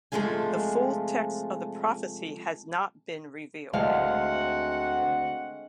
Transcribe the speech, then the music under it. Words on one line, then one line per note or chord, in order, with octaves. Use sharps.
The full text of the prophecy has not been revealed.
C3 F3 G#3 A3 F4 G#5
D2 G#3 C4 F#4 F5 F#5